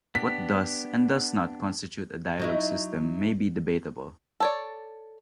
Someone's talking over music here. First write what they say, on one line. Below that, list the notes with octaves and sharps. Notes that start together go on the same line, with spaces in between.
What does and does not constitute a dialog system may be debatable.
B3 D4 G4 B6
F#3 D#4 E4
A4 C#5 D5